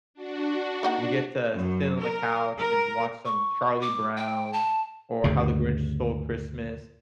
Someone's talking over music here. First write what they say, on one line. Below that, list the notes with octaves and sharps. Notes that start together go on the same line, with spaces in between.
we get to sit on the couch and watch some Charlie Brown or How the Grinch Stole Christmas.
D4 F#4
A#3 D#4 F#5
F#2
A#4
A#4
C#6
D6
G5
A5
D2 G2 C#3